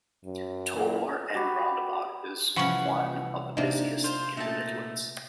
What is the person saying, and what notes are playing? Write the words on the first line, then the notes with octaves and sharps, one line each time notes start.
Tollbar End roundabout is one of the busiest in the Midlands.
F#2
A#2 E3
F#4 G4 B4
C2 E3 F3 C#4 F#5 B5 C#6
C3 A#3 C4 D4 D#4
F4 C5
A#2 A3 D#4 E5 A5